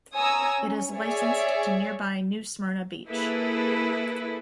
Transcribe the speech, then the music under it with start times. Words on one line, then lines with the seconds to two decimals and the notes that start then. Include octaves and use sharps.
It is licensed to nearby New Smyrna Beach.
0.16 C#5 G#5 A#5 D#6 E6
0.62 C#4
0.98 G#4 C#5 D5 E5
3.09 A#3 E4 G#4 A4 B4